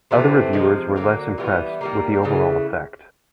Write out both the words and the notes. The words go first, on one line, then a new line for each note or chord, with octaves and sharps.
Other reviewers were less impressed with the overall effect.
C3 E3 A3 C4
C3 F3 G#3
D3 F#3 A#3
E3 G3 B3
D#3 G3 A#3
C#3 E3 A3